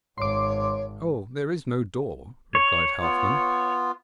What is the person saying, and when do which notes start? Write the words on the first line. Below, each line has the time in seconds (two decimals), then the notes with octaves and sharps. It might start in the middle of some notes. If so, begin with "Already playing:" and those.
'Oh, there is no door,' replied Halfman.
0.18 G#1 C#5 C6 D6
2.55 C#5
3.01 B3 F4